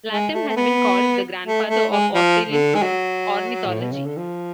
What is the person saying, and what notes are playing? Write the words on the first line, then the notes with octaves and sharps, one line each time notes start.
Latham has been called the "grandfather" of Australian ornithology.
G#3
A3
A3
B3
A3
A3
G#3
F3
D3
G#3
F#3
A2
B2
C#3
D3
F3